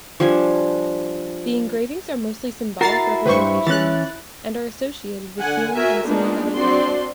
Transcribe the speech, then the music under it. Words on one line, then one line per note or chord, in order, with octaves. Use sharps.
The engravings are mostly symbolic representations and are associated with healing and sympathetic magic.
F3 G3 D4 G#5
E4 F#4 A#4 A#5 A6 C7
C#2 G2 B4 C5 C#6
E3 C#4 F#6 A6
D3 F#5 G#5
F#4 A#4 E5 G#5
G#3 A#3 B3 D4 D#4 F4
C4 D4 F#4 D5 C6